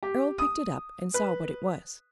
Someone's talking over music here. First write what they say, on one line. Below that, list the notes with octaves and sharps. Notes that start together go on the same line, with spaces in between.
Earle picked it up, and saw what it was.
G4
D#6
B4